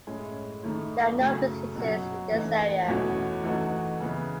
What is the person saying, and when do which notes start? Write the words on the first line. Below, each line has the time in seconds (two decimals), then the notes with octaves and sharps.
There are no businesses in this area.
0.07 A2 G#3 C#4 E4
0.63 D#3 A3 E4
1.20 F#2 C#3 F#3 A3
1.76 B2 F#3 C#4 F#4
2.32 E3 A3 D#4
2.88 E2 B2 A3 C#4 F#4
3.44 E3 A3 D#4 F#4
4.00 C#3 E3 B3